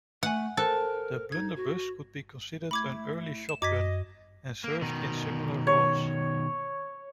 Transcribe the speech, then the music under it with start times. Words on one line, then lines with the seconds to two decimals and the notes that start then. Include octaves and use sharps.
The blunderbuss could be considered an early shotgun, and served in similar roles.
0.23 A3 F#5 G#5 F#6
0.57 A4 A#4 C5 F#6
1.32 D#4 G#6
1.56 F#4
2.71 A3 E4 B5 D6 G#6
3.49 E7
3.62 F#2 D#5 D6 G#6 B6
4.64 A#3
4.82 B2 D#3
5.67 C#5